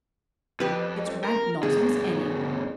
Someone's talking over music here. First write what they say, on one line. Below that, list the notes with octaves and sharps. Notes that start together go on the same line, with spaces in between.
It's rank nonsense, anyhow!
F2 G4 B4
A#4
G2 B2 G#4